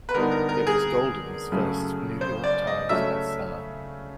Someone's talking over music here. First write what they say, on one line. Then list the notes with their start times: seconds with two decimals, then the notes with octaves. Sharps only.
It was Golden's first New York Times bestseller.
0.09 B4
0.14 D3 G3 B3 D#4 A#4
0.31 A#4
0.49 A#4
0.67 G#4
1.52 F#2 C#3 F#3 A3
2.21 C5
2.44 D5
2.67 D#5
2.89 C#3 F#3 A3 C#4 E5